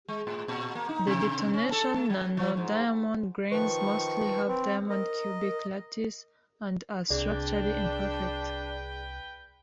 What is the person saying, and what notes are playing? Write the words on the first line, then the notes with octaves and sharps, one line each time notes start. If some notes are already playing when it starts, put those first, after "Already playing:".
The detonation nanodiamond grains mostly have diamond cubic lattice and are structurally imperfect.
G#3
A2
A#2
A#3
D#4
C3
C#4
A4
A3
F#3
F3
G#2
D#3 F3 B4 C#6
C4
A#4 D#5
C2 D4 G#4 B4 D5 G5